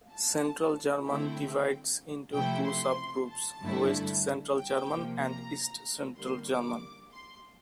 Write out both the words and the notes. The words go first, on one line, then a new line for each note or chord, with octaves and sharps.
Central German divides into two subgroups, West Central German and East Central German.
A5
D3 A3 C4 E4 G5
C3 F3 A3 E4 G5
C6
A5
G2 D3 A3 E4
G5
C3 F3 A#3
A#5
D3 G3 A#3 C6
D6
C6